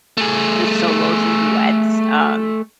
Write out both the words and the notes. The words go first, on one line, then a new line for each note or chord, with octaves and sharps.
the solos and duets. Um,
A3 G#4